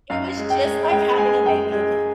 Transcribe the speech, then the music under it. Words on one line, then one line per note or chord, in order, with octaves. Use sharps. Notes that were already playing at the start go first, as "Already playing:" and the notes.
It was, just, like having a baby again.
F#2 F5
G#3
G5
G#3
G#3 G5
G#3 G#5
F#2 G5
G#3